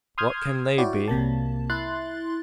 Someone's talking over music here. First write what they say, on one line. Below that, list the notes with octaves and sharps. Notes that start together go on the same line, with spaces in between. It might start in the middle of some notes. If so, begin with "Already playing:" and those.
What kin they be?
C6 D#6 F6 G6 G#6
E4 F#4 C#5 D5 G5
C2 C3 A#3 A5
E4 C6 F#6 A6